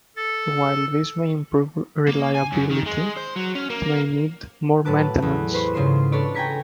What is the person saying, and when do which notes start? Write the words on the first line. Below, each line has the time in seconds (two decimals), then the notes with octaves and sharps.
While this may improve reliability, it may need more maintenance.
0.16 A4 A6
2.08 A#3
2.35 G#5
2.52 F#2
2.71 D#3
2.87 G#3
3.17 C5
3.36 F#3
3.55 C#4
3.70 A#3
4.85 A2 F#3 B4 A5 D6 F#6
5.22 E2
5.54 B4 C5 C#6
5.73 G#2 C#3 F4 C6 E7
6.12 D4 A4 B4 C#5 D5
6.35 G5 G#5 A#5 G#6 B6 C#7